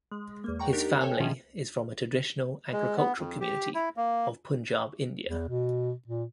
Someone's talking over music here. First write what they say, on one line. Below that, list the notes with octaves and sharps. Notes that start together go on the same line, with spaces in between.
His family is from a traditional agricultural community of Punjab, India.
G#3
E2 A#3
D5 F#5 G5 A#5 C#6
D4 D#4 G4 A#4
A4 C#5 E5 G5 G#5
B2 D#3 F3 C#4 F4
G#3
B3
F2
G4
E4
A#3
E2
B2
A#2